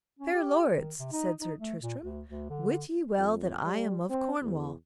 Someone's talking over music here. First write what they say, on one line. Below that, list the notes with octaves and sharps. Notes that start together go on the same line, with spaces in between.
Fair lords, said Sir Tristram, wit ye well that I am of Cornwall.
C#4
G4
D#3
C3
D#4
D#4
A3
A#2
D2
D2
D3
F2
G3
C4
E2